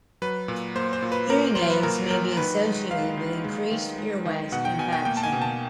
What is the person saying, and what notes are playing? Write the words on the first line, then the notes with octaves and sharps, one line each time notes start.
Hearing aids may be associated with increased earwax impaction.
F#3 B4
A#2
A#3 C5
C5
A#2
B4
A#3 A#4
F#3 C5
B4
A#2 A#4
F#3 A#4
D#3 B4
G#3
G#3 F5
D#3
G#3
D#3
G#3
D#3
B2 F#5
G5
B2 G#5
G5
A#3 G5
A5
G#5
B2
A5